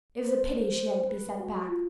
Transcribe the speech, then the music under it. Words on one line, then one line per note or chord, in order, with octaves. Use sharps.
It was a pity she had to be sent back.
C5
B4
F#4
F4